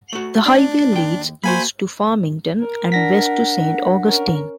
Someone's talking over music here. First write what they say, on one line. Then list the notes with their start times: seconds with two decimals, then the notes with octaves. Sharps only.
The highway leads east to Farmington and west to Saint Augustine.
0.13 A3 F#4
0.46 D4
0.92 D#2 G5
1.44 A#3 F#4 C5 G#5 B5
2.60 A#4
2.92 D4 F#5 A#6 B6
4.03 C#4 A#4